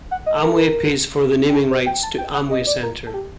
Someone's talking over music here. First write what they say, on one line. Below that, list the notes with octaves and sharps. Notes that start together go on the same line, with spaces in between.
Amway pays for the naming rights to Amway Center.
F#5
D#5
A#4
A4
A#4
G4
A4
C5
G5
A5
G5
F#5
D#5
D5
A#4
A4
G4